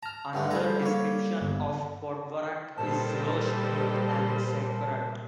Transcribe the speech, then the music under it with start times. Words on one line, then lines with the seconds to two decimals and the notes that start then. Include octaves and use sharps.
Another description of podvarak is roast meat en sauerkraut.
0.03 A5 A#5 F6
0.33 G2 D3 A3
0.50 G3 G#4 A4 F5 A#5
0.83 A#3 C#5
1.41 G1
2.78 G2 A#2 D#3 G3 A4 B4 C5 A5